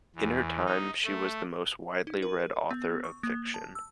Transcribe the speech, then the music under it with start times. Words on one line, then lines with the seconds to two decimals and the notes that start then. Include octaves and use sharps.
In her time, she was the most widely read author of fiction.
0.16 E2
0.65 D#4
1.04 A3
2.07 D#4
2.22 A#4
2.71 B3
3.04 C#6
3.23 A#3
3.54 A5
3.75 E6